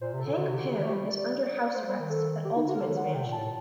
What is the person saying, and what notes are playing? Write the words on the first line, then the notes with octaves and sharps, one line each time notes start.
Hank Pym is under house arrest at Ultimates Mansion.
A#2 C5
C3
A4
D3
D3 F#4
C3 F#4
G4
D3
D#3 G4
A3
G4
G3
D5
D5
A3 C5
G3
D#3
A4
D3 G4
D#4
D3 F#4
A#4
D3 A4
F#3
D3 F#5
D#3
C3 G5
A#2
A5
A2